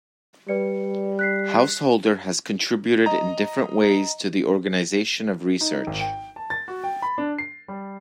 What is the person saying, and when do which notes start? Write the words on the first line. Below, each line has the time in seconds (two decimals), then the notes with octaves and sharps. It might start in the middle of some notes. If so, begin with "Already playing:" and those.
Householder has contributed in different ways to the organisation of research.
0.49 G3 B4 D5 C#7
1.19 F#6 B6 C7
3.06 D#5 A#5
5.61 D#4
5.87 G#1
6.01 G5
6.36 A5
6.50 A6
6.68 F#4
6.84 G5
7.02 B5
7.18 D4
7.38 C7
7.68 G3